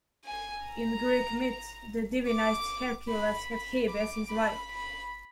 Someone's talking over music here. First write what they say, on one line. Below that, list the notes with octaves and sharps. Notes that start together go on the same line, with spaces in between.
In Greek myth, the divinized Hercules had Hebe as his wife.
G#5
A#5
D6
B5
B5
D6
B5
B5